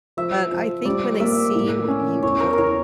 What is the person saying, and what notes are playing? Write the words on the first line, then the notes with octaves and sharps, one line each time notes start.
But I think when they see what you we
F3 E5
F3
G3 D5
D5
A#3 E5
A2
C#4
E2 C#5
A#4
A#4
E2 C#5